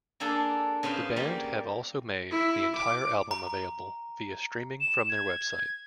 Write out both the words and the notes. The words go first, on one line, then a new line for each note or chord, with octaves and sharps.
The band have also made the entire album available via streaming from their website.
A#3 D4 G#4 A4
C#3 B3 C5 F5
G3 A#3
E4
D6
A#5
E7
G#6